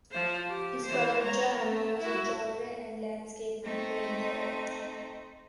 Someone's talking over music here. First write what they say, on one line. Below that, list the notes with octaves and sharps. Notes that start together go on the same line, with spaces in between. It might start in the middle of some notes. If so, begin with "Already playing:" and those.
His brother Jan was a genre and landscape painter.
F3 C5
G4
E3 C5
C#5 A#5
A3
E4 F#4
A3 C4 D#4